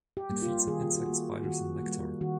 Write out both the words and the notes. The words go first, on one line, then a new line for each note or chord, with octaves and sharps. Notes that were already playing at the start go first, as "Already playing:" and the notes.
It feeds on insects, spiders and nectar.
G4
G3 A#3
F4
D#3 G#4
F4
F#4
G3 A#3 G4
D#3 F#4
G3 A#3
D#3 F#4